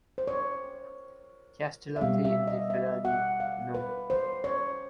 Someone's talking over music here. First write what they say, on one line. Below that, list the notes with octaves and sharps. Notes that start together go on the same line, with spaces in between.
Castellotti in the Ferrari no.
C5
C#5
E5
B2 G3 C4 F5
E5
D#5
E5
F#5
F5
B4
C5
C#5